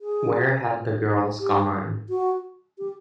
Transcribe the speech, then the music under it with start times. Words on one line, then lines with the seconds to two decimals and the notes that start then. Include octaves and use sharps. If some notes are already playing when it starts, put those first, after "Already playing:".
Where had the girls gone?
0.01 G#4
1.40 G4
2.09 F#4
2.78 G4